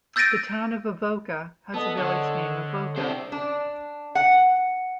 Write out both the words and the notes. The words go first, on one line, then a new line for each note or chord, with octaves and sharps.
The Town of Avoca has a village named Avoca.
E6 G6 A6 A#6 D7 D#7
B3 A4 D#5
D3 C5 C#5 F#5
C3 D4 E4 C5
D4
F#5